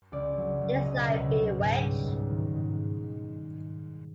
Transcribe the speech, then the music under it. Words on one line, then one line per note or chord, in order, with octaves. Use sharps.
It is like bewitched.
C#2 D5
F#3
C#2
B2 D#5
C#2
F#3
G#2
G3
G#2
D#3
G#2